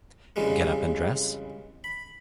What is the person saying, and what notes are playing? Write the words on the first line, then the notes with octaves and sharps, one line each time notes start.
Get up and dress?
F2 C#3 E3 G3 G#3 A#3
B5